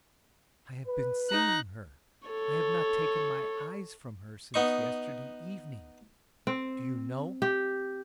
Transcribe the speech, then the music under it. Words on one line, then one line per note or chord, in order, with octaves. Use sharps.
I have been seeing her; I have not taken my eyes from her since yesterday evening. Do you know?
B4
D#4 A#5 F#6
A4 C#5
B3 D#4 C#6
C4
G4